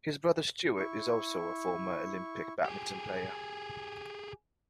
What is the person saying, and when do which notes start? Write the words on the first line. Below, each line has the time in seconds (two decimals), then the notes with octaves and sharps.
His brother Stuart is also a former Olympic badminton player.
0.76 E4 C#6
2.65 G4 G#4